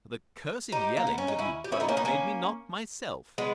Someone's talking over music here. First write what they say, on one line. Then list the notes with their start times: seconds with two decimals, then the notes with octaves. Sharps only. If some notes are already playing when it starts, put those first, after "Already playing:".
But the cursed yellings of you both made me not myself.
0.72 D#4 G4
0.97 A#3
1.07 B3
1.18 C#4
1.28 D#4
1.39 C#4 E4
1.64 G4
1.72 C#4 E4
1.80 B3 D#4
1.88 A#3 C#4
1.97 B3 D#4
2.05 A#3 C#4
3.38 G#3 B3